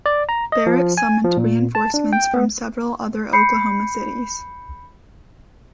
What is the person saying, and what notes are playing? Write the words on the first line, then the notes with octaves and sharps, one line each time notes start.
Barrett summoned reinforcements from several other Oklahoma cities.
D5
A#5
D#5
F3
G#5
F3
A#2
A5
D4
G5
B3
B5 G6 C7 C#7